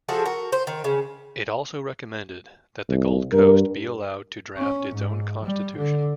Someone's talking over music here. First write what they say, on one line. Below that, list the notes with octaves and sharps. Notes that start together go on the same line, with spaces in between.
It also recommended that the Gold Coast be allowed to draft its own constitution.
F3 F#4 G#4 A4
F#4 A#4
C5
D#3
C#3
C2
G2 A#4
C#4
G#2
G3
D3